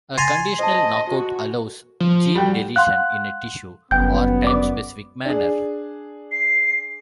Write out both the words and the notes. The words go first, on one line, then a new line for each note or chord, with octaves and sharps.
A conditional knockout allows gene deletion in a tissue or time specific manner.
G#5 C6 A6 A#6 F7
C5 D#5 A5
F#4
F3
G3 F#4 G5
F5 F#5 C6 F#6
G1 F#2 B3 G5 G6
D5 D6
D4 G#4
C7